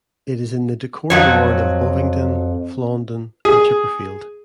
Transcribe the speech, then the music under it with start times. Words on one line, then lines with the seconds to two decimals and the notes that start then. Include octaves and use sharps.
It is in the Dacorum Ward of Bovingdon, Flaunden and Chipperfield.
1.10 F2 F3 F#3 C#5
3.45 G#4